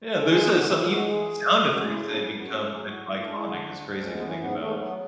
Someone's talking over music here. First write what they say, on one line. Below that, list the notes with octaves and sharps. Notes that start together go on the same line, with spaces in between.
Yeah and there's, uh, some e sound effects that become kind of iconic, it's crazy to think about.
G#3 A4
E3 G#4
G#2 F#4
G#2 E4
G#3 F#4
E3 G#4
F#2
F#2
G#3 F#4
C#3 E4
F#2 D4
C#4
F#2
B3
A3 F#4
G#4
F#3
G#4
A2 F#4
A2
G#3 D4
E4
D3
D4
D2
D2
G#3 C#4
B3
E3
C#4
G#2 B3
G#2 A3
F#3 B3